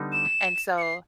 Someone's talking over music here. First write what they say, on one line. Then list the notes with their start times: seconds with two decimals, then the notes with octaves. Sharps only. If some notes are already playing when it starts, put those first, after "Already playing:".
And so
Already playing: D3 G3 B3 D#4
0.12 E7
0.78 C#7
0.82 C7